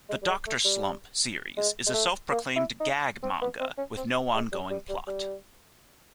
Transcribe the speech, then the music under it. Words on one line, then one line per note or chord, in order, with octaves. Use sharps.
The "Doctor Slump" series is a self-proclaimed gag manga with no ongoing plot.
G#3
G3
G#3
A3
G3
G#3
G#3
A3
A#3
E4
D#4
C4
B3
C4
C#4
C4
G#3
G3
G3
G3
G3